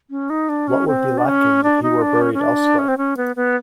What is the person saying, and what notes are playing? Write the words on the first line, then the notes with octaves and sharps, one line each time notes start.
What would be lacking if he were buried elsewhere?
C#4
D#4
D4
C#4
C4
D4
C#4
D4
D#4
D4
C#4
C#4
D4
C#4
C4
C#4
B3
B3